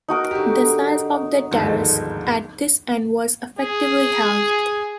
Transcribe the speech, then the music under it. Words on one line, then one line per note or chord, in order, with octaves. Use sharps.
The size of the terrace at this end was effectively halved.
D#4 F#4 A#4
D3 C#4 G4
G1 D#2 G#2 F3 C4 A4
G#4